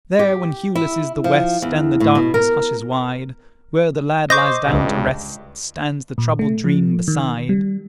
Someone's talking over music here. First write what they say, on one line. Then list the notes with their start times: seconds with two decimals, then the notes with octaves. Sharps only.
There, when hueless is the west And the darkness hushes wide, Where the lad lies down to rest Stands the troubled dream beside.
0.19 G4
0.75 E4
1.24 F3
1.62 E2
2.00 A2
2.15 B2
2.34 A#4
4.30 C5 D#5 C#6 D6 G6 A#6
4.66 C#2 G2
6.18 A#2
6.39 A3
6.64 F3
7.08 D#3
7.49 G3